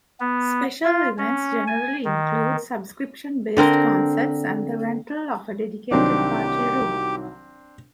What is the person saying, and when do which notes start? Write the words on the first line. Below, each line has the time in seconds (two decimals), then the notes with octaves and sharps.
Special events generally include subscription-based concerts and the rental of a dedicated party room.
0.20 B3
0.85 F4
1.18 C#4
1.67 G#5
2.05 D#3
3.57 D3 C4 A#4 C5
5.91 C2 D#3 F#3 C4 D4 G4 D6